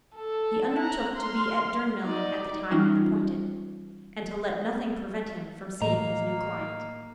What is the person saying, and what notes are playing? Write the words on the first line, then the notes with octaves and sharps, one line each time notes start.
He undertook to be at Durnmelling at the time appointed, and to let nothing prevent him from seeing his new client.
A4
A#5 F#6
C6 F6
D#4 D5
E3 G3 C#4 D#4 F4
A2 E3 A#3 D#5 A#5